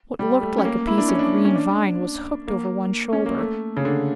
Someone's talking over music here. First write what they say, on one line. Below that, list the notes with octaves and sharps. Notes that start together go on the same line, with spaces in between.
What looked like a piece of green vine was hooked over one shoulder.
G3
A3
C#4
A#3
E4
D4
C#4
D4
C#4
D4
A#3
C#4
A#3
A3
C#3
D3